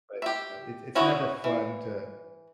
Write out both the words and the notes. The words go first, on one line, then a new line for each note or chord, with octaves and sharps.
But, no, it's it's never fun to
G4 E5
C#4 E4 F#4 C#5 D#5
E3